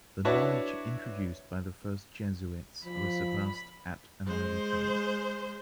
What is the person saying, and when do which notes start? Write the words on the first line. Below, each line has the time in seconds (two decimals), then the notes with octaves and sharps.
The knowledge introduced by the first Jesuits were surpassed at an early time.
0.25 D4 E4 F#4 B4 C#5 A5
2.85 F3 B5
4.26 G#3 C5